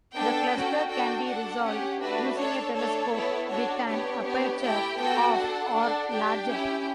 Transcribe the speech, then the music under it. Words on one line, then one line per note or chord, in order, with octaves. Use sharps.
The cluster can be resolved using a telescope with an aperture of or larger.
B3 D4 A4 G5
C#4 F#4 A4
D4 F#4 A4 G5
D4 A4 F#5
C#4 G4
A3 D4 F#4 B4
D4 A4 C#5
A3 D4 A4 C#5
B3 E4 A4
D4 F#4 A4 C#5
B3 D4 G4 C#5
B3 D4 G4
A3 E4 G4 G5
B3 F#4 A4 G5
D4 A4 F#5
D4 A4
D4 G4 G5
C#4 E4 G4